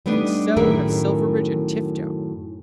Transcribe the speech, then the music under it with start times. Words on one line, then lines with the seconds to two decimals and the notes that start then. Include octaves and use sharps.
And so have Silverbridge and Tifto.
0.06 G3 A3 B3 D4 D#4
0.56 F#2 A2 D#3 G#4 A#4 E5